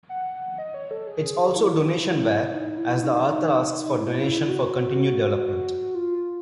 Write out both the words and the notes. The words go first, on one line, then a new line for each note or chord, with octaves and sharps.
It is also Donationware, as the author asks for donations for continued development.
F#5
D#5
C#5
A4
G#4
E4
D#4
E4
E4
D#4
E4
F#4
F4